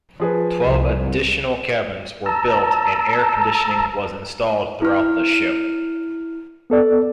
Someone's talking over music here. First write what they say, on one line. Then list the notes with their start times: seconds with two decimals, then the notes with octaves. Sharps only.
Twelve additional cabins were built, and air conditioning was installed throughout the ship.
0.20 F3 G#4 B4
0.66 C2
2.26 A5 A#5 E6
4.82 E4 F6
6.70 B3 A4 D5